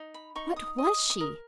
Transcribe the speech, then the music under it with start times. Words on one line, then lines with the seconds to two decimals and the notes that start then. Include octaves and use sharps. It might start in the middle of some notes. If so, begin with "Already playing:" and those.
What was she?
Already playing: D#4
0.14 B5
0.36 D#4 C#6
0.56 D#6
0.78 D#5
0.84 D#6
1.10 D#6
1.20 A#4